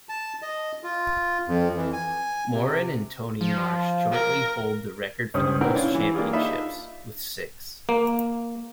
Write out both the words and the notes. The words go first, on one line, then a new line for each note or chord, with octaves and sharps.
Moran and Tony Marsh jointly hold the record for the most championships, with six.
A5
D#5
F4
F2
E3
G#5
C3
F3
A#4
C#2 G2 C5 D#6
C4 D4 A#4 B4 F#5 G5
C#4 D4 E4 F4
E3
A#3 D4 F4 G4 G#4
D4 D#4 F4 E5 B5
A#3